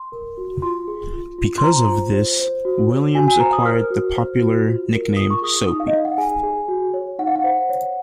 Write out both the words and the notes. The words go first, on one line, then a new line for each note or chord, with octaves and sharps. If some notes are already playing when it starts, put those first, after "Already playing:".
Because of this, Williams acquired the popular nickname Soapy.
Already playing: C6
A#4
F#4
F4 C6
G#4
F4
F4
C6
C5 A#5
F4
C5
C5
F#4
C#5
F#4 G#5
G#5
C5 A#5
D#6
A#4 F6
F#4
C5
F#4
F4
A#4
F4 D#6
C#6
G#4 D#6
D#4 D#6
F5
D#5
D#4 F5
F#5
G#4 G#5
G#4
F#4
C#5
D#4 F#5
F5
F#5
C5
C#5